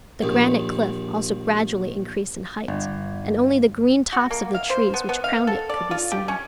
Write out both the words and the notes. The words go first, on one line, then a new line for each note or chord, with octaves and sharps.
The granite cliff also gradually increased in height, and only the green tops of the trees which crowned it could be seen.
A#1 D#2
G1
F#4
A#3
F5
C5
B3
B3
F5
A4
D5
F4
G4
C#4